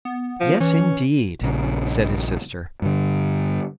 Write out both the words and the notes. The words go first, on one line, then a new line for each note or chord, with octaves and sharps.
"Yes, indeed!" said his sister.
B3
F3
E3 C#4
A#1 C#3
G2 D3